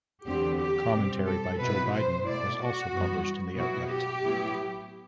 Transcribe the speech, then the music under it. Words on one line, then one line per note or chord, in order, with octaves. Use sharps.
Commentary by Joe Biden was also published in the outlet.
E2 D3 F#3 C4 G4
G4
B2 G3 C4
A4
B2 F#3 C4 E4 B4
C5
B2 A3 E4 D5
F#4
F#2 E3 G3 B3
B2 F#3 B3 E4 F#4
G4
A2 F#3 B3 E4